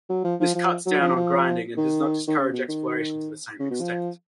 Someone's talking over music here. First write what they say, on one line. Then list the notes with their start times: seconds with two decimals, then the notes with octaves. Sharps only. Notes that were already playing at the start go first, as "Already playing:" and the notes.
This cuts down on grinding and does not discourage exploration to the same extent.
0.10 F#3
0.24 F3
0.40 F3
0.55 F3
0.86 F#3
1.01 F3
1.16 F3
1.77 D#3
2.28 D#3
2.38 C#3
2.53 B2
2.68 D#3
3.60 C#3
3.71 B2
3.81 F3